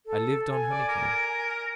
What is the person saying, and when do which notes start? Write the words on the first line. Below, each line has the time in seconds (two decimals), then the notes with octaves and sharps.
I lived on honeycomb.
0.06 A4
0.50 G#5
0.71 D5
0.88 A#4